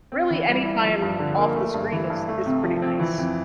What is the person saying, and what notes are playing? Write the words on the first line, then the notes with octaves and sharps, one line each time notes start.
Really anytime off the screen is is pretty nice.
C4
E3
G3
E4
F3
G2
D3
A#3
A3
G2
E3
G2
A3
C3
F3
C4
E3
F2